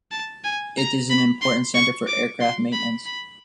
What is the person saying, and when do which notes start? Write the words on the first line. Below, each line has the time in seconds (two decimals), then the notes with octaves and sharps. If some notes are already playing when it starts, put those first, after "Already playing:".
It is an important centre for aircraft maintenance.
0.11 A5
0.44 G#5
0.77 A#5
1.10 B5
1.42 C6
1.74 C#6
2.08 D6
2.40 C6
2.72 B5
3.06 B5